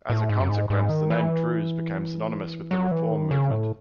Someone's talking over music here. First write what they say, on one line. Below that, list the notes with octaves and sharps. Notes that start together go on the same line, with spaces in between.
As a consequence, the name "Druze" became synonymous with the reform movement.
A2
G#2
F#2
G#2
G#2
D#3
E3
F#3
E3
D#3
C#3
A2